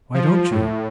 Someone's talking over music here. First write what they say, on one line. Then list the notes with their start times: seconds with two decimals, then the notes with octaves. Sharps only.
"Why don't you?"
0.14 F3
0.51 A2